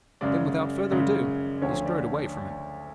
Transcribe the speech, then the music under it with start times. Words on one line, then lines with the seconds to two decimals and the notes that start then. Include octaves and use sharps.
Then, without further ado, he strode away from him.
0.21 F#2 C#3 G#3 D5
0.91 F#2 C#3 G#3
1.62 D2 D3 F3 C#5
1.86 D5